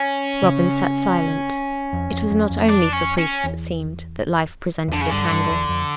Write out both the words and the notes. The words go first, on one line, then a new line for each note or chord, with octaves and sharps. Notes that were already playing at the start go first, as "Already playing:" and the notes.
Robin sat silent: it was not only for priests, it seemed, that life presented a tangle.
Already playing: C#4
C#3
F2
F2
F2
F2
D4
C#4
C#4
E2
E2
F2 D3
C#3
G2 D3
G2
E2
F2